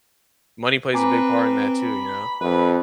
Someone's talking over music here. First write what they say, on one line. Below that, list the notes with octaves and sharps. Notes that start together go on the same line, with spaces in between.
money plays a big part in that too, you know?
C4 B4 G#5 A#5 D6
B5
F2 B4